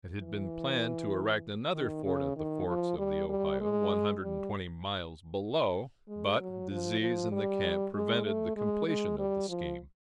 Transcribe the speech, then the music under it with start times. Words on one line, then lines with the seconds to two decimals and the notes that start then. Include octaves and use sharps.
It had been planned to erect another fort at the Forks of the Ohio, one hundred and twenty miles below; but disease in the camp prevented the completion of the scheme.
0.20 E3
1.75 D#3
2.05 C#3
2.36 D#3
2.67 F3
2.98 G3
3.29 G3
3.61 G#3
4.22 G3
6.08 G#3
6.40 F#3
6.71 F3
7.01 F3
7.32 G3
7.95 G#3
8.25 A3
8.56 G#3
8.87 G#3
9.18 G3
9.49 F3